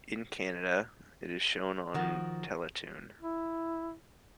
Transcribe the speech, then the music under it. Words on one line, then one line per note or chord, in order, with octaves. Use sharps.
In Canada, it is shown on Teletoon.
D#3 F3 F#4 A#4
E4